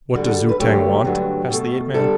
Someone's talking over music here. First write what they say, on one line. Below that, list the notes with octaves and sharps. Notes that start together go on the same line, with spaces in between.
"What does Zu-tag want?" asked the ape-man.
D2 D3 G3 F#4
A4
B4
E2 D3 F#3 A3 G4
G2 D3 F#3 A3
B2 A3
D3 G3 A4